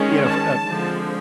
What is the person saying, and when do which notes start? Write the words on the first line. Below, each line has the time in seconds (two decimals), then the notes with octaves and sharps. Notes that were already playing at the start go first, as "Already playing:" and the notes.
you know, f uh
Already playing: D#3 G#3 C#4
0.23 A5
0.67 D3 F3 G#3 C4